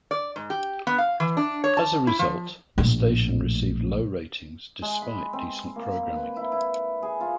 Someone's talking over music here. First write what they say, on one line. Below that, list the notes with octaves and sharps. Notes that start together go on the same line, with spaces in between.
As a result, the station received low ratings despite decent programming.
D5
G#2
G4
B3
F5
E3
D4
C#5
A5
E4
F3
A#1 A2
G#3
B5
C4
A#3
B4
E4
E4
G#4
F4